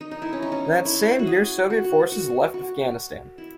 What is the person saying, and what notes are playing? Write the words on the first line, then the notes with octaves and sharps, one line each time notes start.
That same year Soviet forces left Afghanistan.
D#4
D#4
E4
C#4
D#4
C#4
E4
F#4
G#4
F#4
F#4
F#4
F#4
E4